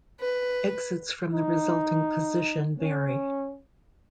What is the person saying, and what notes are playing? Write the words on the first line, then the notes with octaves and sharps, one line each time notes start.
Exits from the resulting position vary.
B4
D#4
C#4